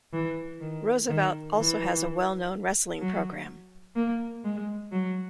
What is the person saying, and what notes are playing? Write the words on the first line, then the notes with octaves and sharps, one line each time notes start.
Roosevelt also has a well known wrestling program.
E3
D#3
D#3
E3
F#3
A#3
G#3
F#3